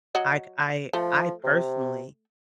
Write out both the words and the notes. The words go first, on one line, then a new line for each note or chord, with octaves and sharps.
I ca I I personally,
F#3 F#4 D#5
F3 A3
C3